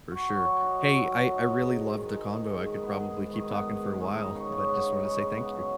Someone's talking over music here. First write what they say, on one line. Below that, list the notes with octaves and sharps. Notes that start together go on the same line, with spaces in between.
For sure. Hey. I I really love the convo. I could probably keep talking for a while, but just wanted to say thank you.
F#4
F#3
F#3
D#4
F#4
F#3
F#3
D#4
G#3
G#2
G#2
D#3
G#3
G#2
G#2
D#3
B3
G#4
G#2
D#3
B3
G#4
G#2
D#3
D#4
C#3
C#3
B3
D#4
C#3
C#3
B3
F#3